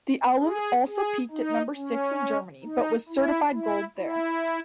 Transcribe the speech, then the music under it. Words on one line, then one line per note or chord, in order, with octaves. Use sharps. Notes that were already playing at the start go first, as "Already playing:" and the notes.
The album also peaked at number six in Germany, but was certified Gold there.
G#4
G#4
D#4
C#4
D#4
E4
E4
E4